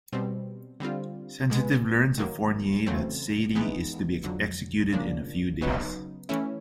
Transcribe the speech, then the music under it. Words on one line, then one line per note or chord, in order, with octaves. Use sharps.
Sensitive learns of Fournier that Sade is to be executed in a few days.
B2 G3 C4
D3 G3 C4 F4
B2 G#3 B3
D#3 F#3 A#3
E2 C#3 F#3 A3 C4
E3 G#3 B3 D#4
F2 D3 F#3
C#3 F3 A#3 D4
C#3 F#3 B3 D#4
E3 A3 C#4 E4